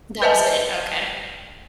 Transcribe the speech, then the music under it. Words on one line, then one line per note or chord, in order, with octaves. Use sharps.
That was it, okay.
B4 C5 D#5 E5 G#5 A5